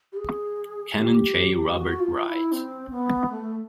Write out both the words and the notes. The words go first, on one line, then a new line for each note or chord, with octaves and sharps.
Canon J. Robert Wright.
G4
G#4
G4
F#4
F4
E4
C4
B3
A3